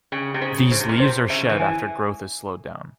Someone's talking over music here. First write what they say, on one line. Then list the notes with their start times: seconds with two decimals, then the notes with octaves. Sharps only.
These leaves are shed after growth has slowed down.
0.12 C#3 G5
0.34 C3
0.42 C#3 C5
0.71 C#3 C5
0.80 C3
0.89 A#2
0.98 C3 C5
1.30 C#3 E5
1.50 E3
1.60 G#5